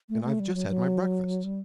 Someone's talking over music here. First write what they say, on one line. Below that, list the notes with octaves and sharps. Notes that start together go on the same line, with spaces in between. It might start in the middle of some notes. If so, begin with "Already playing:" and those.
And I've just had my breakfast.
A3
A3
G3
F#3
F#3
G3